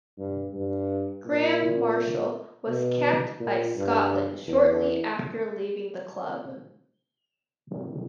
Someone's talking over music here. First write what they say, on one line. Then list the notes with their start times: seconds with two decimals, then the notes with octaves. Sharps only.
Graham Marshall was capped by Scotland shortly after leaving the club.
0.18 G2
0.53 G2
1.26 A#2
2.68 B2
3.39 A#2
3.76 G2
4.47 E2